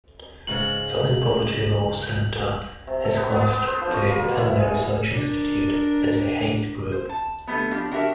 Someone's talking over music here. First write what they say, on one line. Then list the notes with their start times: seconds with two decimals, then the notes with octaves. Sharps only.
Southern Poverty Law Center has classed the Family Research Institute as a hate group.
0.47 G#2 C#3 G#3 F#7
2.87 C3
3.04 A4
3.16 B3
3.35 B3
3.51 B3
3.67 C5
3.81 F3
3.93 F#4
4.10 A#3
4.23 B2
4.39 E4
4.60 G#4
5.12 D4 A#4
6.92 C5
7.09 A5
7.47 D3 G3 A3 B3
7.71 F3 D4 G4
7.91 D4 F#4 G4 A#4 E5